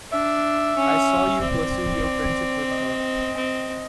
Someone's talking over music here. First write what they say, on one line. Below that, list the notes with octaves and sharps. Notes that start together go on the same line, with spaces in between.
I saw you pursue your friendship with her.
D4 E5
C#4
C4 D5
D#5
C4